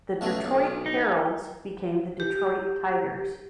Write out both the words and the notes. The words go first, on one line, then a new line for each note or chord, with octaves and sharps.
The Detroit Heralds became the Detroit Tigers.
C#2 B2 A3
B1
D#4
G4